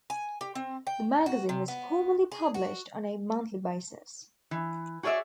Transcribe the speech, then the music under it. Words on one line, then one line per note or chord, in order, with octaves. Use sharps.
The magazine was formerly published on a monthly basis.
G#5
G4
C4
G5
F#4
C3
B3
G#4
F#4
E3
F#4 G#4 C#5 D5 E5